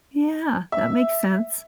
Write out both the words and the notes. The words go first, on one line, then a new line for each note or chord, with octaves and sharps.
Yeah. That makes sense.
E5